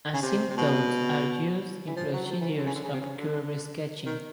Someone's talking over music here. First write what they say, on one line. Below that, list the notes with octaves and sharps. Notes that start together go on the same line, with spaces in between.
Asymptotes are used in procedures of curve sketching.
C#3
C3
C3
B2
E3
F3
F#3
F#3
F3
E3
D#3
D3
C#3
D3
C#3
C3
C#3
D3
D#3